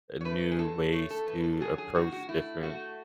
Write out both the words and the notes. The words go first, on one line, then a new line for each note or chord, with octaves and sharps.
uh, new ways to approach different
C#5
A3 B4
G#4
E2 A4
A3 C#5
A4
E2 B4
A4
F#3 G#4
G#4
A2 F#4
F#4
A3 E4
A3 F#4